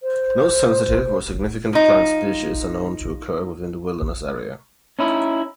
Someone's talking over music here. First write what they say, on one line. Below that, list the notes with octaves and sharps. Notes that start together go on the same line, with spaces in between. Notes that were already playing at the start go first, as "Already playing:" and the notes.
No sensitive or significant plant species are known to occur within the wilderness area.
C5
F3 D#4
C#4 D#4 E4